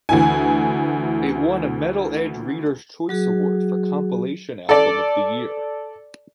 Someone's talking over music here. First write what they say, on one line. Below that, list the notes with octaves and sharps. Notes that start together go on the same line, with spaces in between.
It won a Metal Edge Readers' Choice Award for Compilation Album of the Year.
D2 E3 E4 G#5
F#3 F#4 G#4
A4 D5